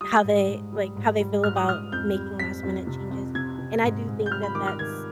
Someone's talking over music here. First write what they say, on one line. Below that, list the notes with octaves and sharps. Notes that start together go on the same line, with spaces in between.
how they, like, how they feel about making last minute changes, and I do think that that's,
G3 D#6
G#2
G#2
G3
G#2
G3
G#2 F6
D#6
G#2 F6
F2 G6
G3
F2 B6
F2
C3
F2
C3 G#6
C3
G#2
G#2
G6
G3 F6
B5
D#3 D6
F6
D#3 G#6